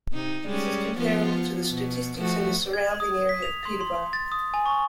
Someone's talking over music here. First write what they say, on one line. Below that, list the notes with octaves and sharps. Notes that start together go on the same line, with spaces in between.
This is comparable to the statistics in the surrounding area of Peterborough.
C3 D#4
G3 G#3 C#4
F3 B3 F4
B2
F3 A3 F#4
G#6
D#6
B6
F7
C6
C6
C6
A6
D#6
G#5
C#6